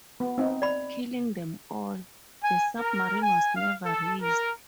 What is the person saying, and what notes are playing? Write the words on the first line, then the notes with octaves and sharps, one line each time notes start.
Killing them all, the submarine was never raised.
B3
C4 D#4
D5 B5
G#5
A#4
G#5
F5
A4
A#4